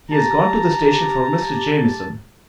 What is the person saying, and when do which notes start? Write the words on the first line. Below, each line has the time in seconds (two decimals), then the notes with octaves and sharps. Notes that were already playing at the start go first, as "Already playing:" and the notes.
He has gone to the station for Mr. Jamieson.
0.11 G4 A5 A#5